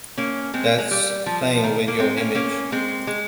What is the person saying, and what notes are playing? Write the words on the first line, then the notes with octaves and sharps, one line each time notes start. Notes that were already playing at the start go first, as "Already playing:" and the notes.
That's playing with your image.
A#3 C#4
G#3 C4
G#3
G3
F3
D#3
A#3
G#3 C4
A#3 C#4
A#3 C#4
G#3 C4
G#3